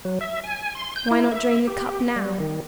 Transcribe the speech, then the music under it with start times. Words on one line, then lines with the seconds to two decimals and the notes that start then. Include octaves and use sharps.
Why not drain the Cup now?
0.05 F#3
0.21 E5
0.44 G#5
0.75 C6
0.96 G6
1.11 E4
1.32 E5
1.68 G4
2.16 G3
2.40 D#3